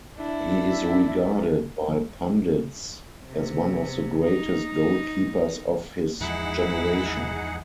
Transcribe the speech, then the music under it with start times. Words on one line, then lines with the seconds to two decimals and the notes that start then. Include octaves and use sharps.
He is regarded by pundits as one of the greatest goalkeepers of his generation.
0.17 D4 E4
3.25 C3
4.23 D#4
6.21 E2 G#2 F3 D#4 E4 G#4 F#5